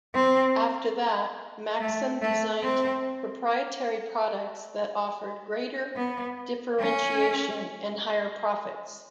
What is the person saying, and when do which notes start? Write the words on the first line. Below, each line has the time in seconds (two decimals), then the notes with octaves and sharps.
After that, Maxim designed proprietary products that offered greater differentiation and higher profits.
0.14 C4
1.80 A3
2.22 A3
2.63 C4
5.96 B3
6.79 C#4